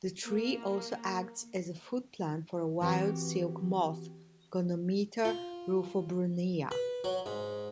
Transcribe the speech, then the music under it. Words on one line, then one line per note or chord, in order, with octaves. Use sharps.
The tree also acts as a foodplant for a wild silk moth, "Gonometa rufobrunnea".
A#3
E3 C4 F#4 G4 G5
F4
B4
F#3
G#2